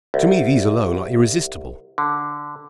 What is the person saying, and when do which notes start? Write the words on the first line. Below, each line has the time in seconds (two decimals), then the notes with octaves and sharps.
To me these alone are irresistible.
0.14 C2
1.98 D3